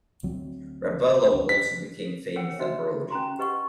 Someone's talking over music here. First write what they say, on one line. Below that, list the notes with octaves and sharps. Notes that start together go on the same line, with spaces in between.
Rabello also became famous abroad.
D2 F#3 C4
B6
A#4 C#5 F#5 G5
D4 D#4 F#4 C#5 D#5 E5
C#4 G#5 A#5 C6
G4 B4 D#5 F#5 C#6